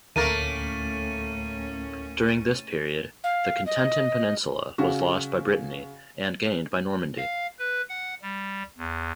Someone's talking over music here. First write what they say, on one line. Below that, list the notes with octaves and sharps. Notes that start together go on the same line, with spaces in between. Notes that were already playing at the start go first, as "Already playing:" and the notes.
During this period the Cotentin Peninsula was lost by Brittany and gained by Normandy.
D2 A2 A3 A#3 C#4 A#4 A6 D#7
F5
D#5
C#3 F#4
F5
B4
F#5
G3
E2